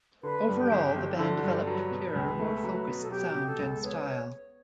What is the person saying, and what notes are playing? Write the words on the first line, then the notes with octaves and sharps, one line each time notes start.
Overall, the band developed a clearer, more focused sound and style.
D3 B4
G2
G4
G1
G1 G4
E4
D3
F#4
G2
G4
C#5
F#3 B4
B2
C#2
A3
F#3
B2
A4
F#3 G4
B2
A4
C#2
B3 C#5